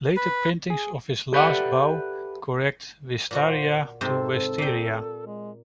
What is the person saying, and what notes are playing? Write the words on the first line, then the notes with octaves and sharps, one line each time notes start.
Later printings of "His Last Bow" correct "Wistaria" to "Wisteria".
B4
G#4
G4 A4 B4 D5 E5 F#5
A#2 F4 F#4 C5
G#2 C3 A4 C5
A#2 G5
G#3